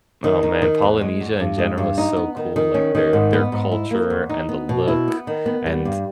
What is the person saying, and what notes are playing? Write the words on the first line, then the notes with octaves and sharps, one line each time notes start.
Oh, man, Polynesia in general is so cool, like, their their culture and the look, and
D#3
D#4
D#3
E2
G#3
E2
G2
G#3
G2
D#4
B3
D#3
D#3
C#4
D#3
G#2
B3
G#2
E4
A#3
E2
D#4
B3
B2
E4
B3
D#3
B3
G3
G2